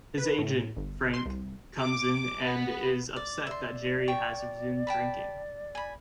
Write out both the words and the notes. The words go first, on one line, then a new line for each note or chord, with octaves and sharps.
His agent, Frank, comes in and is upset that Jerry has resumed drinking.
B4
A2
G1
C6
C2
D6
B3
D5
D5 E5 C6
G5 A#5 C#6
G5 A5 B5
G#5 B5